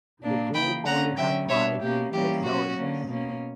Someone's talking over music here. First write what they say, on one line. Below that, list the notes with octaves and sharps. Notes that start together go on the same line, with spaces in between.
The game only had five resources.
A#2 A#3 D4
C#3 E3 A#3 G5 B5
D3 A#3 C#4 F#5 A#5
D3 F#3 C#4 E5 G5
B2 G3 B3 D4 C#5 E5
B2 A#3 C#4 G4
E3 G3 A#3 C#4 G4
B2 F#3 C#4 F#4
D3 A#3 C#4
B2 A#3 C#4